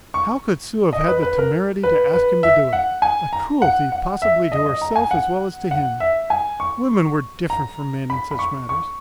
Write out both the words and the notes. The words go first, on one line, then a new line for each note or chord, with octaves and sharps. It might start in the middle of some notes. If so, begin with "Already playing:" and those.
How could Sue have had the temerity to ask him to do it--a cruelty possibly to herself as well as to him? Women were different from men in such matters.
C#6
D#5
B4
B4
A#4
B4
B4
E5
F#5
G#5
A#5
F#5
F#5
E5
D#5
D#5
A#5
G#5
F#5
F#5
E5
G#5
C#6
A#5
B5
B5
C#6
C#6